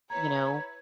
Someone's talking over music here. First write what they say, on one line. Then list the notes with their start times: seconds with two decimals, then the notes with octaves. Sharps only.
you know,
0.10 E4 B4 C#5 A#5 G#6